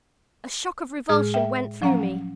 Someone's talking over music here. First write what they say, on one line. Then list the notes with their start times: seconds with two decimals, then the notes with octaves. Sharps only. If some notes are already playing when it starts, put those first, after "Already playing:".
A shock of revulsion went through me.
1.09 A2 G#3 G#4 F6
1.34 E5 G5
1.82 F3 F#3 C#4 F#5 A#5